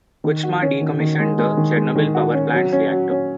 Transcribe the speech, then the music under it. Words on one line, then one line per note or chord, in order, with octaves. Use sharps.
Kuchma decommissioned the Chernobyl power plant's reactor.
D#3
F#4
C#4
D#3
D#3
G#3
G#3
D#3
G#3
D#3
F#4
C#4
F#3
C#4
F#3
C#4